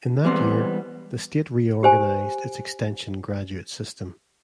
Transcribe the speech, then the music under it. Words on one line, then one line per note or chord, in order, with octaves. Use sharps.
In that year, the state reorganized its extension graduate system.
E3 G3 G#3 B3 C4
G4 C5 G#5